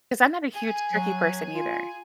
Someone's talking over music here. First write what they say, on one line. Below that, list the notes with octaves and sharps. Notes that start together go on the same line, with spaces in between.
'Cause I'm not a huge turkey person either.
G#4 G#5
F#3
F4